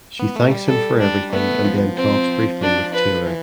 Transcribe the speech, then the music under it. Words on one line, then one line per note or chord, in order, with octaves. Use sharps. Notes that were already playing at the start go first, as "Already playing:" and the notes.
She thanks him for everything and then talks briefly with Taylor.
B3
A3
G3
A4
D4
A3 B3
F3
C4
D4
B4
E3